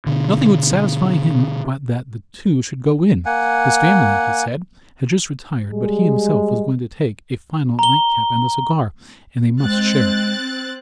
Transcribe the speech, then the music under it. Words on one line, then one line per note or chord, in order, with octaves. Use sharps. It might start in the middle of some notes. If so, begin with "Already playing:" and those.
Nothing would satisfy him but that the two should go in; his family, he said, had just retired, but he himself was going to take a final nightcap and a cigar, and they must share it.
B2 D3
A#3 F#5 G#5
G3 G#3
A#5 G7
G#3 C4 F#6 A6